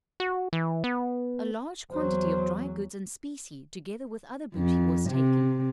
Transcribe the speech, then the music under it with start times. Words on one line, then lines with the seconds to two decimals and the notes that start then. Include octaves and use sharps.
A large quantity of dry goods and specie together with other booty was taken.
0.20 F#4
0.53 E3
0.84 B3
1.92 E2 F#3 C5
4.54 F2
5.09 C3